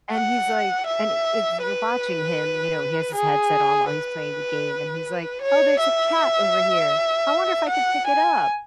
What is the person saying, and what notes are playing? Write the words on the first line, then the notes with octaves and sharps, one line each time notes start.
and he's, like, and it's you're watching him, you know, he has his headset on while he's playing the game, and he's like, "Oh, there's a cat over here. I wonder if I could pick it up,"
F#5
E5
B4
G#4
B4
C#5
E5
F#5
G#5